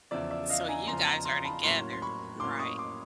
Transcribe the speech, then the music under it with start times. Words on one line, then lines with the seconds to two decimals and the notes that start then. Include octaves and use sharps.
So you guys are together, right.
0.11 E2 C#3 F3 D5 E5
0.31 D5 E5
0.49 D#5 F5
0.68 G#5 A#5
0.87 E2 C#3 F3 A#5 C6
1.07 A#5 C6
1.25 A#5 C6
1.45 A5 B5
1.64 A2 F#3 A#3 C#4 A#5 C6
1.93 C6
2.02 B5 C#6
2.40 A2 F#3 A#3 C#4 C6 D6
2.59 C#6 D#6
2.78 C6 D6